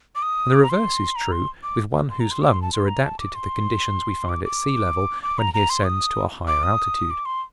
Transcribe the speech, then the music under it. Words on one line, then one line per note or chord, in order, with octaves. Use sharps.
And the reverse is true with one whose lungs are adapted to the conditions we find at sea-level, when he ascends to a higher altitude.
D6
D#6
D6
A#5
C6
A#5
C6
D6
C6
A#5
C6
D6
C6
A5
C6
A#5
A5
D6
C6
D6
D6
D6
A#5
A#5
C6
D#6
D6
D#6
D6
C6